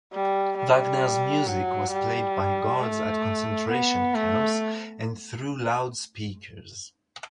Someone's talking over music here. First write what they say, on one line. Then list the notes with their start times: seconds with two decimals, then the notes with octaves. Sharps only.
Wagner's music was played by guards at concentration camps and through loudspeakers.
0.13 G3
0.58 G3
1.47 F#3
1.91 G3
2.81 A3
3.70 B3
4.15 A3